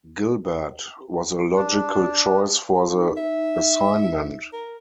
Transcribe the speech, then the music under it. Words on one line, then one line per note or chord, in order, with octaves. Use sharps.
Gilbert was a logical choice for the assignment.
D4
D#4
E5
A#4